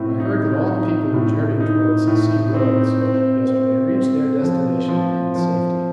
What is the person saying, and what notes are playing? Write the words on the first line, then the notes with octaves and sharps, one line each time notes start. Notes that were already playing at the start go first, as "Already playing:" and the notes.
I heard that all the people who journeyed towards C. Royds yesterday reached their destination in safety.
Already playing: A2 C4
D#4
D#4
A2
D#4
A2
C4
C4
C4
C4
F3
F3
F3